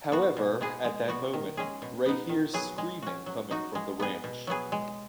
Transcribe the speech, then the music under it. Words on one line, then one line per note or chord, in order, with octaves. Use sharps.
However, at that moment, Ray hears screaming coming from the ranch.
B3 F#4
B2
G#3 B3 G#4
G#3
B3 F#4
D#3
G#3 C#4 G#4
B2
B3 D#4
D#3
F#3 B3 G#4
G#3
C#4 F#4
F#3
D#4 F#4
G#3
B3 G#4
B2
F#3 B3 G#4
G#3